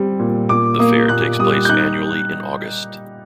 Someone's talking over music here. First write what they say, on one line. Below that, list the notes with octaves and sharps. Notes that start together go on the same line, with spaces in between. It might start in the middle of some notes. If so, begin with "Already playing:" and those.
The Fair takes place annually in August.
Already playing: G3 C4
A#2
A#2 D6
A#3 D#6
A#2 F#6
G3 D#6
G6
D#4 F#6